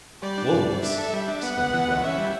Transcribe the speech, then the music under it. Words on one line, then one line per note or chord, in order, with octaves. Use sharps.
"Wolves!" exclaimed Rod.
G3 D5
D4
G2
G2
D4 E5
A4
G3
D4
B3 F#5
B3
E3
E3
C#4 E5
G3